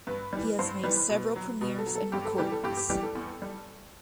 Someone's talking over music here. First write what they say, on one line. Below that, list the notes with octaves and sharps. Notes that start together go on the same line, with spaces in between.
He has made several premieres and recordings.
G2 B4
E3 G3
G2 C5
E3 G3 B4
B2
F#3
B2 B4
A4
F#3
A4
G2 G4
A4
E3 G3 G4
A4
G2 G4
G4
E3 G3 G4
A4
E2
G3